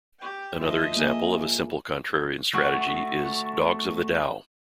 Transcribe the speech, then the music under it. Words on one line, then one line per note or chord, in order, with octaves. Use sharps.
Another example of a simple contrarian strategy is Dogs of the Dow.
G4 G5
F2 D#5 E5 C6
A#3 G#4
A3 F#4